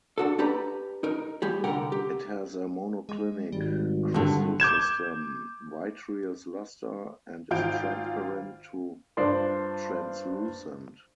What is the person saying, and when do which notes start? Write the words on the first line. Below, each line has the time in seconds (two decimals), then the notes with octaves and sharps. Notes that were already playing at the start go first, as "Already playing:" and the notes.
It has a monoclinic crystal system, vitreous luster, and is transparent to translucent.
0.18 D4 F#4 A4
0.38 D4 G4 B4 A#5
1.03 D#4 A#4
1.42 G3 G4 G#4
1.64 C2 D3 G4 A#4 F#5 G5
1.92 G4
3.09 G#3
3.52 G#1 G3
4.14 G2 D3
4.60 D6 G6 G#6 E7
7.51 G#1 F4 G6 D7
9.17 G2 D4 F4 C5 D5 C6